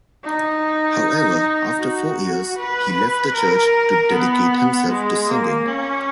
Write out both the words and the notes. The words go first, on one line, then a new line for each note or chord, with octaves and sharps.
However, after four years, he left the church to dedicate himself to singing.
D#4
F#4
B4
A#4
B3
G#3
A#3
C#4